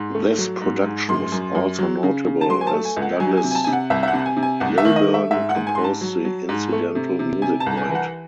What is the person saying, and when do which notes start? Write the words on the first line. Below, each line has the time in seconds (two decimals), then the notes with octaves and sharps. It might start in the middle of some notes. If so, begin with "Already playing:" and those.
This production was also notable as Douglas Lilburn composed the incidental music for it.
Already playing: G#2 C6
0.14 A3
0.38 F#3
0.62 G#2
0.85 G#2
1.09 F#2 C6
1.32 F#2
1.55 F#2
1.78 F#3
2.03 C#3
2.26 C#3
2.41 A5
2.49 F#3 C6
2.61 G#5
2.67 A5
2.73 A3
2.85 G#5
2.97 C#2
3.02 F#5
3.20 F#3 G#5
3.37 G#5
3.43 C3
3.51 G#5
3.55 A5
3.64 C3 G#5
3.73 F#5
3.90 C2 E5
4.03 E5
4.08 F#5
4.13 C3
4.26 G#5
4.37 C3
4.43 G#5
4.60 C2 F#5
4.78 E5
4.85 D#3
4.96 D#5
5.08 A3
5.14 E5
5.31 G#2 E5
5.49 F#5
5.55 G#2
5.67 G#5
5.75 G#2 C6
5.84 A5
6.01 F#3
6.25 F#3
6.49 G#2
6.72 A3
6.95 C3
7.19 C3
7.42 C3 G#5
7.60 A5
7.66 C2
7.77 G#5
7.89 E3
7.95 F#5